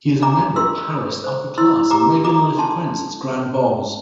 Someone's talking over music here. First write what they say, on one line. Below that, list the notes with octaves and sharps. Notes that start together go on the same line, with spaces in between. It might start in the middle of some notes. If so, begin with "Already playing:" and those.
He is a member of Paris' upper class and regularly frequents its grand balls.
D4 A#5 D6
F4 C6 E6
A4
C5
E4 C6 E6
G4 A#5 D6
A4 A#5 D6
D4 A5 C6